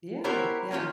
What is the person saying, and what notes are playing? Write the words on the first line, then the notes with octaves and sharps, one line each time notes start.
Yeah. Yeah.
B3 E4 G4 A#4 C5 C#5
A#3 C#4 F4 G4